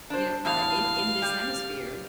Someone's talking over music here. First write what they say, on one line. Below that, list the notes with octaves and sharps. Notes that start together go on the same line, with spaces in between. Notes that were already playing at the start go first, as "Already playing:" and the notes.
you know f in in this hemisphere.
D4 C5
E2 A2 G3 F5
G3